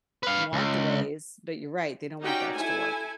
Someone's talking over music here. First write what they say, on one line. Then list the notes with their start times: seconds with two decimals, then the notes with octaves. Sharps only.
want the raise, but you're right, they don't want the extra work.
0.23 B4 F5
0.53 C#2
2.22 C#4 D#4 F#4 G4 D5 G5
2.56 E4 A4 G#5